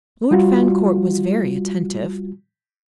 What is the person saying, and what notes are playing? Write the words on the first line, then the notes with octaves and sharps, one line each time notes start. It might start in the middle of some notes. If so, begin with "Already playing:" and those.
Lord Fancourt was very attentive.
G3 F4 F#4